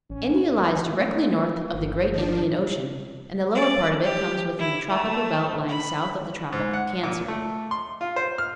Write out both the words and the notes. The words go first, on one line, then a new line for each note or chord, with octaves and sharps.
India lies directly north of the great Indian Ocean, and the lower part of it comes within the tropical belt lying south of the Tropic of Cancer.
A1 C#4
D#2
A#2 A3
G1
D#3 F3 D4
D5
G4
E4
A3
B5
G#2
F#5
A#2
A3
C6
F4
C5
F6